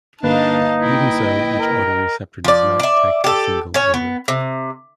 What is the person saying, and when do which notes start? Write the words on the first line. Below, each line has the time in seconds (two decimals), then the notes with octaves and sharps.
Even so, each odor receptor does not detect a single odor.
0.23 G1 A#3 D4 D#4 B4 D#5 F5 A5
0.82 E4 D#5 G5
1.59 A#4
2.44 F3 D5
2.80 D5 E5
3.24 G4 A4
3.74 C#4 C#5
3.94 B3
4.28 C3